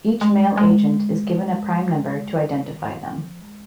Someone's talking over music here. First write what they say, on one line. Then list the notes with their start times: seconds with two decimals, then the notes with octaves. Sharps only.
Each male agent is given a prime number to identify them.
0.21 G#3
0.57 G#3
2.35 G3
2.70 D#3
3.06 F3
3.41 G#3